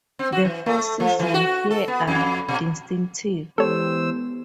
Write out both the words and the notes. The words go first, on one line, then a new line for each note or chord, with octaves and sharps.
The four seasons here are distinctive.
C4
F#4
E3
A3
F3
E3
F#4
A4
B3
F2
B2
E3 G#3 B3 G4 A4 C5 C#5 E6